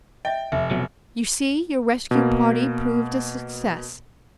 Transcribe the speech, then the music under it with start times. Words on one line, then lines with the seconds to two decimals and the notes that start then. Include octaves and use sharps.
You see, your rescue party proved a success.
0.25 D#5 E5 G5
0.52 F1 E5
0.71 F2 B2 F#3
2.11 B2 A#3